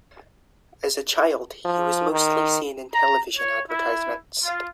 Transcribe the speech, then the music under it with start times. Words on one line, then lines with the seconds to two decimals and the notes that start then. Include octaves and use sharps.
As a child, he was mostly seen in television advertisements.
1.65 F3
2.12 D#3
2.93 A#5
3.36 C#5
3.70 E4
4.43 F4